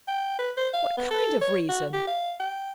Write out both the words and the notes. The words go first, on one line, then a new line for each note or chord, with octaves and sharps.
'What kind of reason?'
G5
B4
C5
F5
B3
A4
C#5
F#4
G4
F5
G5